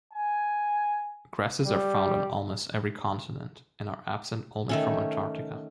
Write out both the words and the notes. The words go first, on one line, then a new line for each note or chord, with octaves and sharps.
Grasses are found on almost every continent, and are absent only from Antarctica.
G#5
G3
D#3 A3 C#4